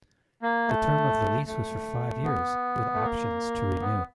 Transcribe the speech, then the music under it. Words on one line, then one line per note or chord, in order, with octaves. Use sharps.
The term of the lease was for five years, with options to renew.
A#3
A3
A3
B3
A3
A#3
B3